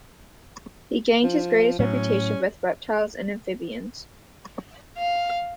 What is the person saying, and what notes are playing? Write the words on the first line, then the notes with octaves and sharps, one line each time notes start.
He gained his greatest reputation with reptiles and amphibians.
F3
A2 F#3 C#4
F5